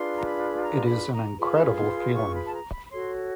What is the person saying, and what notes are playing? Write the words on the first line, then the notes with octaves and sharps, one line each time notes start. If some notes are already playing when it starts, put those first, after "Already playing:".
It is an incredible feeling.
Already playing: D4 F4 G#4 B4 C6
A#5
B5
A#5
B5
A#5
F4 G#4 B4 B5
C6
C#6
B5
A5
A#5
B5
B5
F#4 A4 C#5 C6